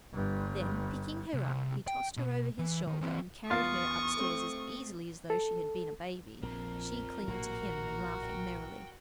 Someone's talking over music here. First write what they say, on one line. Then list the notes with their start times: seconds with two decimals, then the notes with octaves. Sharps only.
Then, picking her up, he tossed her over his shoulder, and carried her up-stairs as easily as though she had been a baby, she clinging to him and laughing merrily.
0.13 G1 G2
1.34 C2
1.88 G5
2.17 B2
2.59 E3
2.87 D#3
3.01 E3 C4
3.50 E2 F4 F5 C#6 D#6 A6
4.17 A3 C4
5.30 A4
6.43 A#1 F3 C4 A#4
7.28 A#1 A2 C3 A#3 F#4
8.23 G5